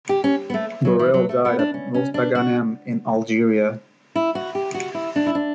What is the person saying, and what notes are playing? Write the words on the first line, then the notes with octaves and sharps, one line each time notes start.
Borel died at Mostaganem in Algeria.
G4
C#4
B3
A3
F#3
E3
F#3
A3
B3
D4
C#4
C#4
D4
F#4
E4
F#4
G4
F#4
E4
D4
E4
D4